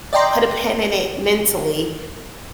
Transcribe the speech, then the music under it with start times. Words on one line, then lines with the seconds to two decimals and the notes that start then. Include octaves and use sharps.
put a pin in it, mentally,
0.13 D5 D#5 G5 A#5 C6